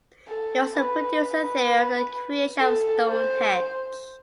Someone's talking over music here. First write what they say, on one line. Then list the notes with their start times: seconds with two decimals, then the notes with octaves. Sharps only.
He also produced a theory on the creation of Stonehenge.
0.29 A4
0.75 B4
1.22 B4
2.61 A4
3.08 C5